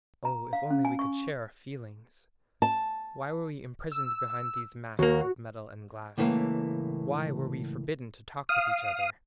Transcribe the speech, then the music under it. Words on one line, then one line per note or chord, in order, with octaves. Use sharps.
Oh, if only we could share our feelings! Why were we imprisoned behind these masks of metal and glass! Why were we forbidden to talk with each other!
A#5
F5
C#4
G#5
C#6
A5
E6
D#2 A#3 F#4
C#2 A2 E3 G#3 A#3
F5 D#6